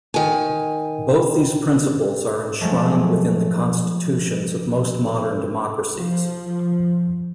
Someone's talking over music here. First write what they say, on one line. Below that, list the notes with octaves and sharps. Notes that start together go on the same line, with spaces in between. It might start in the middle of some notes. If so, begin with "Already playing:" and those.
Both these principles are enshrined within the constitutions of most modern democracies.
D#3 G#5
F3 F#3 G#3 A3
F3